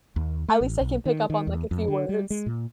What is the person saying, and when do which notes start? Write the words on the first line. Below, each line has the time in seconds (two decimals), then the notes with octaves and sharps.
at least I can pick up on like a few words
0.16 D#2
0.48 A3
0.61 A1
0.81 B1
1.05 D#3
1.30 D#3
1.47 E2
1.71 F2
1.88 D3
2.09 G3
2.30 G#3
2.46 A#2